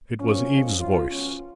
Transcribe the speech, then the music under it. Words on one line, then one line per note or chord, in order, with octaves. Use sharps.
It was Eve's voice.
B1 A#2 F3 C#4
F2 F3 G#3
G#1 G#2 F3 G#3 F4
C#2 B2 F#3 C#4